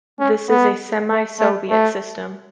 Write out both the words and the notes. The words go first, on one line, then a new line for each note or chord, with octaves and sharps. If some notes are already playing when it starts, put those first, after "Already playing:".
This is a semi-Soviet system.
C#4
B3
A3
A3
A3